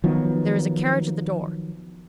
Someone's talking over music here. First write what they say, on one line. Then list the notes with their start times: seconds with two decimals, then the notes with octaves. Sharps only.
There is a carriage at the door.
0.04 D#3 F3 F#3 B3